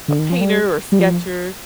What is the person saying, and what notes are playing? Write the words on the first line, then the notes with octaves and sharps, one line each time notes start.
a painter or sketcher,
D3
D#3
F3
G3
G3
F3